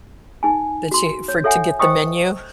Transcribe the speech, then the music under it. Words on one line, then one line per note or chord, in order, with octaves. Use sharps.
that you for to get the menu
D#4 G#5
F#4 C6
C#5
A4 C#5 E5 F#5 G#5
C5 D#5 G5 C#6 D#6